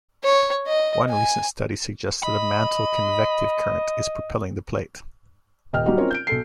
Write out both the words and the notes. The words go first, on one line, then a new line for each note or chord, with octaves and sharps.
One recent study suggests that a mantle convective current is propelling the plate.
C#5
D#5
G#5
D#5 B5
D#1 D#5 G5 F6
F#3 G3 D#4 F#4 G4
C4 C#4 D#4 F4 A#4 C#5
G6 D7
B1 A4 C7